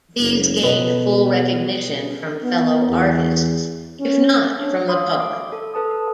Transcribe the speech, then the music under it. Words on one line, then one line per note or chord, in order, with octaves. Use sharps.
These gained full recognition from fellow-artists, if not from the public.
F#1
B2 A4 B4 D#5
B3
E2
C#4
D4 C#5
F5 B5 C6 D#6 E6
D6
A4
A4 B4 A5 D#6